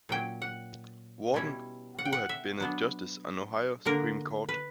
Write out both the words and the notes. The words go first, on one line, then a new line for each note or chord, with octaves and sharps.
Warden, who had been a justice on the Ohio Supreme Court.
A#2 F#3 C#4 G5
F#5
B2 G3 C#4 E4
F#5
G5
F#5
E5
F#3 B3 D4
D3 A#3 D4 A#4
B4